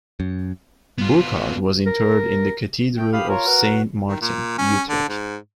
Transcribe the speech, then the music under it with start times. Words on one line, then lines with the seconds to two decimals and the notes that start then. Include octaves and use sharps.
Burchard was interred in the Cathedral of Saint Martin, Utrecht.
0.20 F#2
0.98 B3 F4
1.86 A#4
2.97 A3 G5
3.13 G4 F5 B5 D#6
3.29 F4 A#4 C#5
3.46 F#4 B4
4.08 D#3
4.21 A#2
4.58 C#4
4.89 D3
5.09 G#2